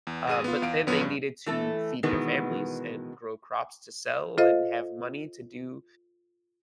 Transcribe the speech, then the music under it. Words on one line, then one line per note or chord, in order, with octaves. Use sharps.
Uh, but then they needed to feed their families and grow crops to sell and have money to do
E2
G#1 G#4 D#7
B3 F4
E2 F5 D7
A1 F3 B3 C#5
G2
E3 A3 A4
B2 D#3 E3 G#3 B3
F4 A4 C5 D#5 F5